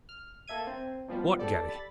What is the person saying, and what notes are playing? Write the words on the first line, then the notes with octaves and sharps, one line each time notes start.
What Garry?
F6
A#3 A4 E5 G#6 D#7
C4
B2 F3 G3 B3
G4 A4 D5
B5 A6